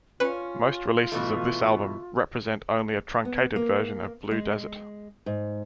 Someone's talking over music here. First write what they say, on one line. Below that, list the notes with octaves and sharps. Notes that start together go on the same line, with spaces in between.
Most releases of this album represent only a truncated version of "Blue Desert".
C#4 F4 B4
B2 E3 A3
B3
A#3
G#3
G#2